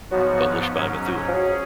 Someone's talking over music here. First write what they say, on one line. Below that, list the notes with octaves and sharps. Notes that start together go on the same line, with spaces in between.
Published by Methuen.
G#2 F3 F#3 B3 F#4
G#2 F#3 C#4
F3
F#3 C#4 G#4